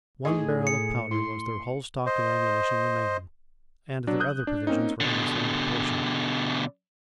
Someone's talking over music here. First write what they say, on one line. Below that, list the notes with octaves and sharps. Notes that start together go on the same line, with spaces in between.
One barrel of powder was their whole stock of ammunition remaining; and their other provisions were in the same proportion.
A2 D#4 E4 G#4 D#5
C#7
E4 C6
C5 D#5
F#3 D4
D#6 F#6 G6
D4
A#3 C4 C#4 D#4
B2 D3